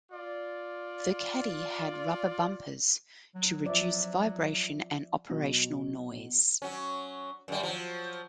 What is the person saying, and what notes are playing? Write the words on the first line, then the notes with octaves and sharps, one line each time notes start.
The caddy had rubber bumpers to reduce vibration and operational noise.
F4 D5
F#3
F3 D5 E5
B2 F#3
F#3 C#4
F#2 G3
F3 F#3